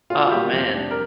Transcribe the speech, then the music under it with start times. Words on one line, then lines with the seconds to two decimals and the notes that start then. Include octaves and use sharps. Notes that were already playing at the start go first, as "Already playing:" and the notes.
Oh, man.
0.10 A#2 F4
0.27 F4
0.31 G3 A#3 G4
0.52 F2
0.74 C3 G3 D4
0.91 A#4